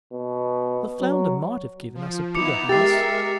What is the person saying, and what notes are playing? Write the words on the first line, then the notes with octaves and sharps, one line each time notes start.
The flounder might have given us a bigger house.
B2
F#3
F3
B3 D#4 E4 D6 C#7 F7
G#3 G4 A#4 E5 A6 C7